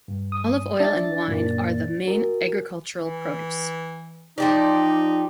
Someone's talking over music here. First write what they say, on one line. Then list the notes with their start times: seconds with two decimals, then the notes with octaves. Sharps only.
Olive oil and wine are the main agricultural produce.
0.08 G2
0.32 D#6
0.80 D4 E5 A6
1.28 F#2 A#2 A#3
2.05 F#4 A#4
2.99 E3
4.38 F3 D#4 G4 D5